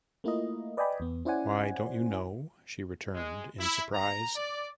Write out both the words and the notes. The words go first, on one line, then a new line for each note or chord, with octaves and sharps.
Why, don't you know? she returned, in surprise.
A3 A#3 E4 F4 A#4 D#5
B4 D5 D#5 G5 G#5 B5
E2 B3
C#4 E4 C5 D5 F#5 G#5
G#3
E4
A#5
D5